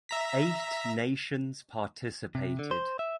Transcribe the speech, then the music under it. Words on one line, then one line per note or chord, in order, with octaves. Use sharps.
Eight nations participated.
E5 A#5 B6
C3
D3
C5
E5